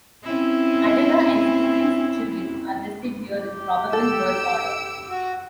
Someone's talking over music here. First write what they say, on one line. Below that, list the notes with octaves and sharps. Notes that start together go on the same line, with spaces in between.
Adela and Stephen's children are listed here in probable birth order.
C4 C#4 E4
G4
A4 E6 D7
F#4